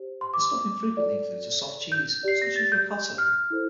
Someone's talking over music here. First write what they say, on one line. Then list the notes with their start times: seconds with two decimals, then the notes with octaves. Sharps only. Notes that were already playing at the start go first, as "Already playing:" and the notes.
The stuffing frequently includes a soft cheese, such as ricotta.
Already playing: G4 C5
0.21 C6
0.34 D6
0.97 F4 A4 D5
1.92 G6
2.23 G4 D5 C7
2.42 A#6
2.56 A6
2.72 G6
3.18 F6
3.50 E4 A4 C5